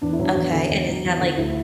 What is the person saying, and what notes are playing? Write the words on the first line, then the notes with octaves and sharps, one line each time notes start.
Okay, and is that, like,
E2 D4
E4
F#3 D4
E2
D3
E2
F#3
E2
D3
D2 E4